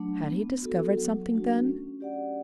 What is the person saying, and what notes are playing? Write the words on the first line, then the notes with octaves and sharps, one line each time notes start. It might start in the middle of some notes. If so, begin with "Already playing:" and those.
Had he discovered something then?
Already playing: F#3 A3 D4
B3
F#4 A4
F#3
A3 D4 F#4
C#4
G4 D5 F#5